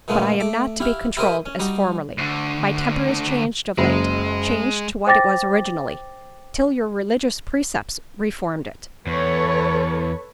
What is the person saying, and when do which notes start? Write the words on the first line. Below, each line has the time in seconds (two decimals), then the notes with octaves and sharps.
But I am not to be controlled as formerly; my temper is changed of late; changed to what it was originally; till your religious precepts reformed it.
0.08 A#2 D3 G#3 A3 B3 C#4
0.40 A3 D6
0.80 E4 G4 F5
1.17 E4 G4 A#4 C5 D#5 E5
1.46 C#4
1.59 G3 D#4 F#4 G4
2.18 D2 D3
3.78 F#1 G#3
5.07 C5 G5 D6 A6 A#6
9.07 E2 A4 B4 C#5